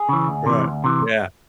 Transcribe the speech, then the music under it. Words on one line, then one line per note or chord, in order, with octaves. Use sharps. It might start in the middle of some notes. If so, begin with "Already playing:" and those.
Right, yeah.
Already playing: G#4
C#3 E3
D2
C3 E3
D2
C3 E3